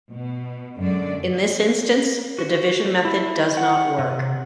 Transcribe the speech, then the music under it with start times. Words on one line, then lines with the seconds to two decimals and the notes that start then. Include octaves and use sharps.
In this instance, the division method does not work.
0.12 B2
0.79 F#2 D3 G#3 D4 D5
2.39 F#4
3.05 E4
3.57 F#5
3.99 C3